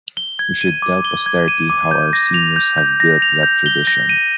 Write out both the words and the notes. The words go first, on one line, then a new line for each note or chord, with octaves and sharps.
We should tell posterity how our seniors have built that tradition.
G7
G#6
D#7
D6
G7
G#6
D#7
D6
G6
A#6
F7
G6
G6
A#6
F7
G6
G7
A#6
D#7